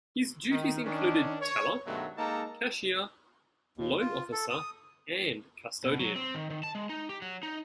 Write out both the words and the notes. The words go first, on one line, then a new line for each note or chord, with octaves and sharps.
His duties included teller, cashier, loan officer and custodian.
D#3
D#3 C#4 D4
C#5
G2 B2 D#3 F#3 G#3 A3
G#3 A#3 D#4 A4 A5 A#5
D#2
F4
A4
D#6
B2
F#3
C4
D#3
D#3
A5
G#3
D#4
G4
F#3
D#4